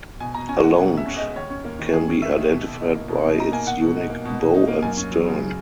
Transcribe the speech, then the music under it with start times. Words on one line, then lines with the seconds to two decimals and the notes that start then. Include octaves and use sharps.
A londe can be identified by its unique bow and stern.
0.20 B2 G#5
0.35 B2 A#5
0.49 C#4 G#5
0.63 G#3 F#5
0.78 B2 F#5
0.92 B2
0.97 E5
1.06 C#4
1.17 G#3 D#5
1.36 D#2 C#5
1.50 C#4
1.65 A#3
1.79 D#3
1.93 D#2 G#4
2.08 C#4
2.22 A#3 E5
2.37 D#3
2.52 B2
2.66 B2
2.81 D#4
2.94 A#3
3.09 B2
3.24 B2
3.37 D#4 A#5
3.52 A#3 G#5
3.67 B2 F#5
3.81 B2
3.96 D#4
4.10 A#3
4.25 B2
4.39 B2
4.54 D#4
4.68 A#3
4.82 F#2 G#5
4.97 C#4
5.11 F#3
5.25 C#3